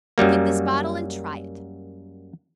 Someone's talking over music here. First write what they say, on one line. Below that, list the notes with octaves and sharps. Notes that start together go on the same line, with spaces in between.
Get this bottle and try it.
F#2 F#3 G3 A#3